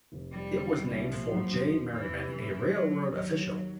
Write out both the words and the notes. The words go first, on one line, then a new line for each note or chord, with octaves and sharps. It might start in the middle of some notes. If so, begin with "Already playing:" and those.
It was named for J. Merriman, a railroad official.
F1
F2 G3
D3
C2
C2
A#2 F3
F#3
E1
D#3
E2 E3
C3
F#2
A3
C#3 F#3
F3
D#2 F#3
D#2
D#3